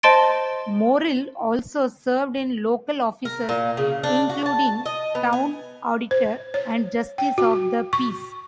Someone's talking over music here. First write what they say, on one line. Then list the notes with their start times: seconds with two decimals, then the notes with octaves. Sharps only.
Morrill also served in local offices including Town Auditor and Justice of the Peace.
0.03 C5 D#5 A5 C6 A6 D7
3.25 A#4
3.49 A#2
3.77 C#3
4.03 D4
4.30 F#4
4.46 A5
4.67 A5
4.86 D#5
5.15 B3
5.33 G#5
6.11 C5
6.54 C#5
7.18 G5
7.38 F#4
7.93 C#6